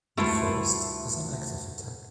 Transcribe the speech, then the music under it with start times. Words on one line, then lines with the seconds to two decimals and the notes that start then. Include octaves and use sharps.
The first is an active attack.
0.17 D2 G2 A3 E4 F4